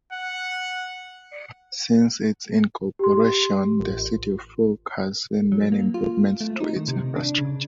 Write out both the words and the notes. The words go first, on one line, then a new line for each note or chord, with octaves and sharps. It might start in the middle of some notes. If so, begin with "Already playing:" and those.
Since its incorporation, the City of Fouke has seen many improvements to its infrastructure.
F#5
G4 C6
A1
F#3
A#3
F4
A3
D#4
D#3
C3
D4
C#3